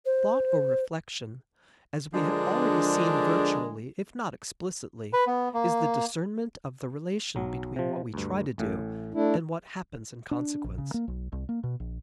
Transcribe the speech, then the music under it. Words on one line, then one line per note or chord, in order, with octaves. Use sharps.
Thought or reflection, as we have already seen virtually if not explicitly, is the discernment of the relation between what we try to do and what happens in consequence.
C5
D3 F3 G#3 D4 G#4 A#4
B4
B3
A#3
B1 F#3
C3 F3
D2 G2
A1 A2
A3 D4 E4
D4
A#1
C#3
A#3
B1
C2
A#3
B2
A#1